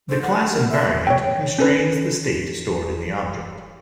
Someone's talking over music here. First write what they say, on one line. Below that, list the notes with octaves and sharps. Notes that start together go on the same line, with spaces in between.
The class invariant constrains the state stored in the object.
C5
F#5
A#4
E5
C#5 G5
C#4 A4 B4